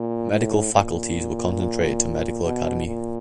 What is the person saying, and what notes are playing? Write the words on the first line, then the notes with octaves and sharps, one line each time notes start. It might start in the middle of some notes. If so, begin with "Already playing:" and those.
Medical faculties were concentrated to Medical Academy.
Already playing: A#2
A2
A#2
B2
A#2